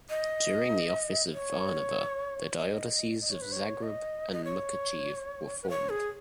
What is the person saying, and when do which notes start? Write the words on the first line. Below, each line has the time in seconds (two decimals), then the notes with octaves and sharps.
During the office of Varnava, the dioceses of Zagreb and Mukacheve were formed.
0.10 D#5
1.34 C#5
2.58 D#5
3.21 D#5
3.31 C#5
3.41 B4
3.52 C#5
3.83 D#5
4.33 D#5
4.44 C#5
5.63 B4
5.69 C#5
5.89 G#4